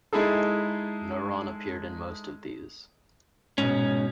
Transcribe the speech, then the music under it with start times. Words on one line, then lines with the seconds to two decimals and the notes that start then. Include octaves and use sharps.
Neron appeared in most of these.
0.13 G#3 D#4 E4 G#4 A4
3.58 G#2 B2 C#4